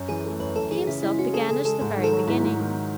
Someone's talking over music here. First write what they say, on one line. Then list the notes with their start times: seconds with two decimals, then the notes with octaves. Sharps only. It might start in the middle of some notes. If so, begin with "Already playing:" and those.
He himself began at the very beginning.
Already playing: F#2
0.09 E3 G#4
0.24 A3
0.40 F#2 B4
0.56 F#2 A4
0.71 E3 G#4
0.87 C#3 E4
1.02 G#3 E4
1.19 C#4 F#4
1.33 G#4 A4
1.49 C#3 A4
1.65 G#3 A4
1.81 G#2 A4
1.97 D#3
2.04 A4
2.12 F#3
2.27 G#2 E4
2.44 G#2
2.59 D#3